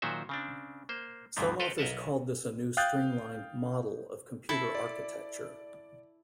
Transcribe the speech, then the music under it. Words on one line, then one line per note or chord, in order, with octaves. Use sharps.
Some authors called this a new streamlined "model" of computer architecture.
A#2 D#3 F#3 F#4 C5 E5
C#3 C4 D4
A#3 C5
D2 G2 C3 E3 B3 C4
A4 B4 D#5 F5 G5
B1 A#4 D#5 E5 F#5 A5
F5 G5 D#6 F#6 G6 A6
E4 A4
D5